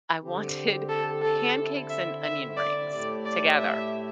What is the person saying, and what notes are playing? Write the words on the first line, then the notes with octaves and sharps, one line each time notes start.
I wanted pancakes and onion rings together.
D3 C4 G4
A4
A4
D3 C4 E4
E5
E5
D5
A2 A3 E4 G4 D5
D5
E5